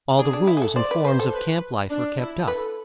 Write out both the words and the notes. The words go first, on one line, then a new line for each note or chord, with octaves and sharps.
All the rules and forms of camp-life were kept up.
D4 G#4
D4
E4
G#4
A4
C5 D5
B4
B4 C5
A4
B4
D4
E4
A4 B4